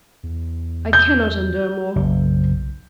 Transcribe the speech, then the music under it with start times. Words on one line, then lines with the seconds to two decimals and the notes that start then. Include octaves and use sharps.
I cannot endure more!
0.23 E2
0.93 G6
1.95 F#1 B1